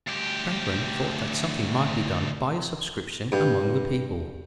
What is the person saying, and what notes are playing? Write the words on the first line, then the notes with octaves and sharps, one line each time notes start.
Franklin thought something might be done by a subscription among the people.
D2 G4
G2